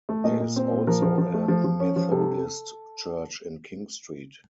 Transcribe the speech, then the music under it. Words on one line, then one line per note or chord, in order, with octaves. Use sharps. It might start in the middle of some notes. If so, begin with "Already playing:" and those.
There is also a Methodist church in King Street.
A3
A#2 D#5
A#2
C4
A#2
F3 A#4
F3
F3
A3
F3
F3
C#4
F3
C3 A4